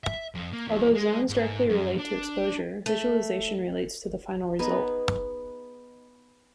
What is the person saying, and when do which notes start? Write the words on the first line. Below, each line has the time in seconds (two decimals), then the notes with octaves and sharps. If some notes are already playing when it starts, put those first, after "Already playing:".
Although zones directly relate to exposure, visualization relates to the final result.
0.04 E5
0.35 F2
0.53 A#3
0.68 E2
0.95 G#3
1.30 G#2
1.69 F#2
1.98 D4
2.86 A3
4.59 B3 D#4 G#4